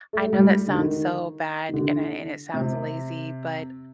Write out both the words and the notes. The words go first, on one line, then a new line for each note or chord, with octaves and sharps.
I know that sounds so bad, and it and it sounds lazy, but,
A3
G3
D3
D#3
D#3
D3
C3